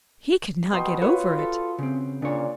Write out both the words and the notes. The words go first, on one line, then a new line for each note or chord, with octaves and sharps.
He could not get over it.
B2 G5 C6 D#6
F4 F#4 B4 C#5
A4
C#3 C4
A#2 C#3 D4 C#5